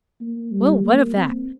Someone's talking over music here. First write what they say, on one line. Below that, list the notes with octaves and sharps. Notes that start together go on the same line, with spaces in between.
"Well, what of that?"
A#3
G3
A#3
C4